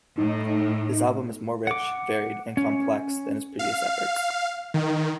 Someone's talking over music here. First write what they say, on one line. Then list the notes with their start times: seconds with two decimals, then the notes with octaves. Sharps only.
This album is more rich, varied, and complex than his previous efforts.
0.18 A2 D#4
1.67 F#5 D6
2.57 C#4
3.59 F5
4.74 D#3